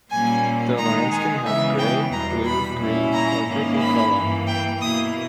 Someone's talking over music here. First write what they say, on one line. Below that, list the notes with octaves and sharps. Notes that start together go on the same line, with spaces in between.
The lines can have gray, blue, green or purple color.
A#2 G3 A#3 C#4 G#5
D#3 G#3 D#4 A#5
G#5
C#3 E3 G#3 B3 E5
G5
E2 B2 G3 A#5
B5
A#2 G3 C#4 E4
A#5
G#2 D#3 A#3 C#4 E4
B5
G2 E3 A#3
G5
B2 A#3 E4 D#6